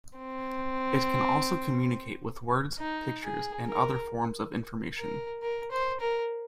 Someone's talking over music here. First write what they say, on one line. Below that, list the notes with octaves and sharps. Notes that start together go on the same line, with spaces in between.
It can also communicate with words, pictures and other forms of information.
C4
D#4
G#4
A#4
A#4
A#4
C5
A#4